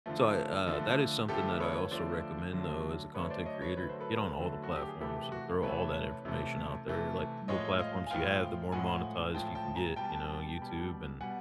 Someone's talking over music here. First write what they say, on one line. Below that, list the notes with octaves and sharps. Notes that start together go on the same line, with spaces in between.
so I, uh, that is something that I also recommend though as a content creator. Get on all the platforms and throw all that information out there, like, the more platforms you have, the more monetized you can get, you know, YouTube and
D3 F3 A3
D3 F3 A3
D3 F3 A3 G4 A4
B4 C#5
D3 F3 A3 C5 D5
D3 F#3 A3
D3 F#3 A3 B4 C#5
C5 D5
C#5 D#5
B4 C#5
D3 F#3 A3 B4
C5
A4 B4
D3 F#3 A3
F#4
G4
G#4
C3 E3 A3 G4 A4
G4
F#4
C3 E3 A3 B4 C#5
C3 E3 A3
C3 E3 A3
A2 F3 G#3 C#5 D#5
D#5 F5
G#5
A2 F3 G#3 F5 G5
A2 F3 G#3 F#5 G#5
A2 F3 G#3 G5 A5
G5 A5
G#5 A#5
B2 G3 G5 A5
B2 G3
B2 G3 F#5 G#5